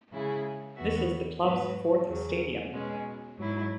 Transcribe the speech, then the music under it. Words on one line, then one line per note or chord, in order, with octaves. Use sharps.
This is the club's fourth stadium.
C#3 G#3 E4 G#4
E2 E3 B3 F#4 E5
G#2 F#3 B3 F#4 B4
E2 C#3 F#3
B2 G#3 C#4
G#2 F#3 E4